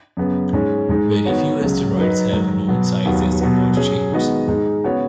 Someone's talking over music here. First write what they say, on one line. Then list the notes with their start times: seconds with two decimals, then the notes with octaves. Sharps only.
Very few asteroids have known sizes or shapes.
0.17 F#2 C#3 B3
0.53 G#2 G#3 C#4
0.89 G#2 G#3 D#4
1.25 D#3 B3 F#4 C#5
1.61 C#2 C#3 F#3
1.97 F#3 D#4 B4 D#5
2.32 G#2 D#3 F#3
2.69 B2 F#3 B3
3.05 D#2 D#3 F#3 B3 F#4
3.41 B2 F#3 B3 F#4 B4
3.77 F#3 C#4 G#4
4.12 D#3 G#3 B3 F#4 D#5
4.48 G#2 G#3 D#4
4.84 C#3 B3 F#4 C#5